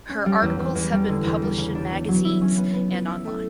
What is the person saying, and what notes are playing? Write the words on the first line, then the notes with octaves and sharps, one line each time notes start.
Her articles have been published in magazines and online.
C#4
G3
E2
E2
E2
G3
D3
E2
G3
C#3
D4
B3
F#3
E4
C#4
B3
B3
B3
E4
A3